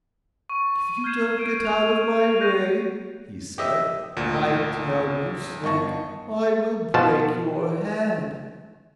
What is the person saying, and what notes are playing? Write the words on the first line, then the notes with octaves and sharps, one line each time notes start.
"If you don't get out of my way," he said, "I tell you, snake, I will break your head."
C#6 D#7
F6 G6 G#6 C7 D#7 E7
F6 G#6 D7
F6 F7
C#6 F#6 G6 A#6 D#7
G4 D#5 E5
G#1 D2 A#2
G1 D#5 A5 C#6
B2 F3 A5